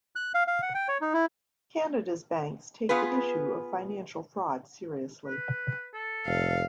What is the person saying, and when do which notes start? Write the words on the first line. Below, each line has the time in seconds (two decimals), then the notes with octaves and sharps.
Canada's banks take the issue of financial fraud seriously.
0.16 F#6
0.34 F5
0.47 F5
0.62 F#5
0.75 G5
0.88 C#5
1.01 D#4
1.14 E4
2.89 B3 F4 G#4 B4
5.26 B4
5.94 A4
6.27 F1 F5